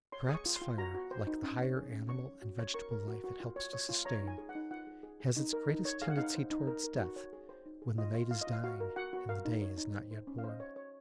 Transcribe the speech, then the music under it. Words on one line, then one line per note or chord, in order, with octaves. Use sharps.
Perhaps fire, like the higher animal and vegetable life it helps to sustain, has its greatest tendency towards death, when the night is dying and the day is not yet born.
C#5 C6
G#4 D#6
C#6
F4
C6
F4
F#4 A#5
F#4
C5
D#4
C#4
C#5
G#4
C#4
C#5 C#6
C#5
F#4
C#5
A#4 C#6
A#4
F#4
F#4
F4
C#5
C#5
F4
C#5 A#5
D#4
G#5
G#4
F#5
D#4
F4 F#5
G#4
G#4
G#4
D#4
A#4
D#4
C#5
G#4 F5
F#5
D#4 F5
C5
D#4
A#4
A#4
F#4
C#5
G#4
C5
D#4
G#4
F4 D#5
F4
F4 F5
D#5
F4
F5
F#4 F5
A#4
F#4 F#5
F#4
A#4 F5
D#4
C#5
D#4
C5
C5
C#4
F5
C5
D#5
C#5
C#5